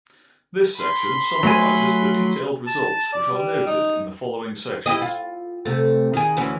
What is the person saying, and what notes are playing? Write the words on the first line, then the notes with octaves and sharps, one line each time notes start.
This section summarises the detailed results which are noted in the following sections.
B5 C6
F#3 A3 G#5
A5
D5
G3
D#4
E4 G4 D#5
F4
C3 A3
D#3 G#4
D2 E3 C#4